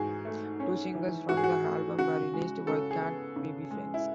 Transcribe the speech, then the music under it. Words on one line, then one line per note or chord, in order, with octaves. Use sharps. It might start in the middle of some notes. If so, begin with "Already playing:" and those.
Two singles from the album were released: Why Can't We Be Friends?
Already playing: G#2 E3 F#4 G#4
A3
C#4
E3
G#2 F#4
G#4
F#4
A3
C#3 F#4
G#3
C#3 A4
G#4
B3
C#3
G#3
E4